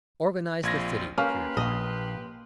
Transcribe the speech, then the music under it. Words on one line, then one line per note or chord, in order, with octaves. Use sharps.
"Organize the city," she replied.
A#1 C4 F4 G#6 A#6
A#3 C#4 G4 B4 C6 F6
A#1 D#5